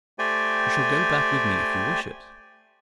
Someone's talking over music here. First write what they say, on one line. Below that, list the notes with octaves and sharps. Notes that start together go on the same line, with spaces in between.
"You shall go back with me if you wish it."
A3 G4 C5 D5 G5 G#5